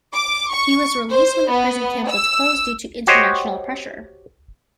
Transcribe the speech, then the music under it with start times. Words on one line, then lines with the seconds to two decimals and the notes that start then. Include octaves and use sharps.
He was released when the prison camp was closed due to international pressure.
0.14 D6
0.52 C#6
1.11 C5
1.51 B3
2.10 E6
3.07 F#4 G4 C5 C#5 D#5